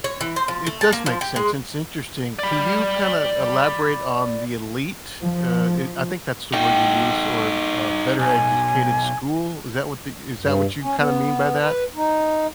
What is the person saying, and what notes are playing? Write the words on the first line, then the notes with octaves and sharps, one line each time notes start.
it does make sense, it's interesting. Can you kinda elaborate on the elite? Uh, i I think that's the word you used, or, uh, better-educated school? Is that what the is that what you kinda mean by that?
C#5
E3
C5
F3
A3
A5
A#3
F3
G4
G#3
D5 B5
F3
D#4 F#4 G5
B1 G#5
G2
C#4
B3
B4
D#4